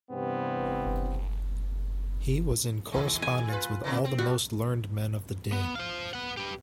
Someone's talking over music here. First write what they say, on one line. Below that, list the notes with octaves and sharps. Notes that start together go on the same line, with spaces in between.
He was in correspondence with all the most learned men of the day.
G2 C3 E3 B3 C4
D#3 G#3
G#5
F4 B4
B2 D3 E3
C4
G3 F#4
B3
C5 F5
B4 F#5
G4 B4